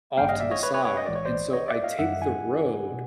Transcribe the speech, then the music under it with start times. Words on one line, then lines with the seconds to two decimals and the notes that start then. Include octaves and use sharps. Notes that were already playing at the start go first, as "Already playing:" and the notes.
off to the side, and so I take the road,
0.18 G#1 G2 D#3 G3 A#3 F5 G5
0.29 D#5 F5
0.39 D5 E5
0.51 C#5 D#5
0.63 B4 C#5
0.74 B4 C#5
0.85 B4 C#5
0.97 D#5
1.06 B1 A2 E3 G#3 D5
1.16 C#5
1.25 C5 D5
1.53 C#5 D#5
1.68 D5 E5
1.84 D#5 F5
1.99 F#2 D#3 G3 E5 F#5
2.22 F#5 G#5
2.92 B2